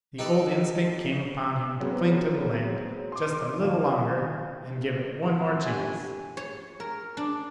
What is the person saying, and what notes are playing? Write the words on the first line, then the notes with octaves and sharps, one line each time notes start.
The old instinct came upon him to cling to the land just a little longer and give it one more chance.
D#4 G4 A4 B4 D5
F#3 G#3 B3 C4
C6 D6
D#2 F4
C3
G#1 E4 F#4 C5
A#2 D3 A3 G4 G#5
C#5
A#4
D4